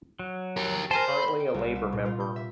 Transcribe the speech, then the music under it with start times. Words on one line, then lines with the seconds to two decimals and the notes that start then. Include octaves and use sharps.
Currently a Labour member.
0.19 F#3
0.57 G4 A#4
0.91 A#4 C5 G#5 A5
1.09 B5
1.40 G5
1.54 C2
1.75 E5
1.92 A#2
2.05 F4
2.20 G6
2.36 E5